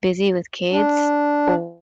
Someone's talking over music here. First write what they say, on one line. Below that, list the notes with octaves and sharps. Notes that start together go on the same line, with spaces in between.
busy with kids or
D4